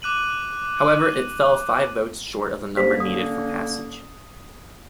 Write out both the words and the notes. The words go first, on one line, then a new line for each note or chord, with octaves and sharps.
However, it fell five votes short of the number needed for passage.
D6 F#6 D#7 F#7
D3 A#3 C#4 G4 C5 B6
D#6